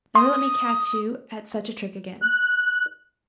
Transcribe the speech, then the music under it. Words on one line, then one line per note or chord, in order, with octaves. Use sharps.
Never let me catch you at such a trick again.
C6 D#6
F#6